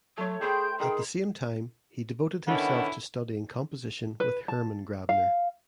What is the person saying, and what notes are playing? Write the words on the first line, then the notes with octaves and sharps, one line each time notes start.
At the same time he devoted himself to studying composition with Hermann Grabner.
F#3 A3 C#5
G#4 B4 C5 E5 G5 G6
D#4 G#4 A#4 G5
D3 D#3 B3 C#4 E4
B4
A5
F5